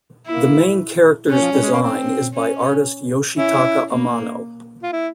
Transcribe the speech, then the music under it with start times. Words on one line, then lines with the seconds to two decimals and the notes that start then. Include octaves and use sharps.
The main character's design is by artist Yoshitaka Amano.
0.26 A#3 E4
1.29 C#4
1.41 F3
1.52 G3
1.61 G#3
1.72 A#3
1.82 C4
2.33 C#4
3.37 C#4 E4
3.89 A#3
4.83 F4
4.93 E4